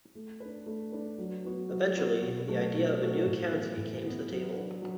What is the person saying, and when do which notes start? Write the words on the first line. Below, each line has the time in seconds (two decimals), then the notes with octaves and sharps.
Eventually, the idea of a new county came to the table.
0.15 A3
0.40 B4
0.45 D4
0.66 A3
0.92 D4 B4
1.18 F#3
1.45 B3 F#4 B4
1.71 F#3
1.96 B3 F#4 B4
2.22 B2
2.48 F#3 A3 F#4 A4
2.74 B2
3.01 F#3 A3 F#4 A4
3.26 A2
3.51 E3 B3
3.77 A2
4.04 E3 B3
4.30 F#3
4.56 D4 B4
4.82 F#3